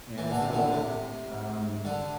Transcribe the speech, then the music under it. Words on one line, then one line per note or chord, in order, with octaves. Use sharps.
and so, um
E3
D3
C3
D3
C3
D3